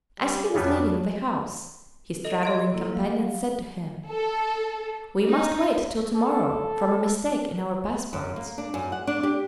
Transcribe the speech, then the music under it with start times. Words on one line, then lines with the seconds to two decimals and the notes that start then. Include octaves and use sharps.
As he was leaving the house, his travelling companion said to him, "We must wait till to-morrow, from a mistake in our passports."
0.20 G3
0.55 F2 C#3 F#3 G3 B3 D4
2.24 A4 D#5
2.43 D#5 C6 G#6 D7
2.74 A#3 E4 A4
2.92 F#3 F5
4.07 A4
5.27 D#4
6.16 A4
8.13 F#2
8.36 A#3
8.58 D4
8.74 F#2
8.92 F#5
9.07 D4
9.23 G4